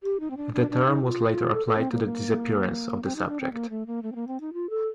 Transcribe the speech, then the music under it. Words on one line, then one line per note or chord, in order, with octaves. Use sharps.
The term was later applied to the disappearance of the subject.
G4
D#4
C4
D4
D4
D4
D#4
F4
F4
A4
A4
C4
A#3
A#3
C4
D#4
D4
C4
A#3
A3
A#3
A3
C4
A#3
C4
D#4
F4
A4